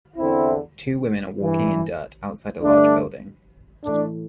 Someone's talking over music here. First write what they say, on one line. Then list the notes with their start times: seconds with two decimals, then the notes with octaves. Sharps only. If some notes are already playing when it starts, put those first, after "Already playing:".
Two women are walking in dirt outside a large building.
0.16 E2 D3 C4 E4
1.39 G2 E3
2.62 G2 D3 A3 D4
3.84 A2 E3 A3 D4